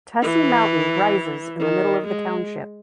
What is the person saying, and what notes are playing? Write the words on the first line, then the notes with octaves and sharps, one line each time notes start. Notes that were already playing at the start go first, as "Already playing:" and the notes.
Tussey Mountain rises in the middle of the township.
E3
D#3
G#3